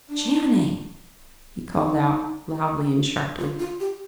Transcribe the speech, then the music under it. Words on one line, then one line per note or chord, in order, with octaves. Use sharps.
"Channing!" he called out, loudly and sharply.
D4
D#4
F4
F4
G4